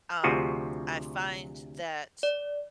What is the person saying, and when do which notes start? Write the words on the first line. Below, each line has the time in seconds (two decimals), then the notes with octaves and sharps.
um, I find that
0.23 D2 C3 F3 F4 F#4 G#4
2.23 D5